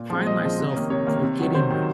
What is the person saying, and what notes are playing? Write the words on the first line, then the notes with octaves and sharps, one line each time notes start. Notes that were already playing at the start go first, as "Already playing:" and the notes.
find myself forgetting v
Already playing: A#2
F3 G#3 C4
A#2 D#5
F3 G#3 C4
C3
D#3 A#3 C#4
C3 C#5
D#3 A#3 C#4
C3
D#3 F#3
C3 C5
D#3 F#3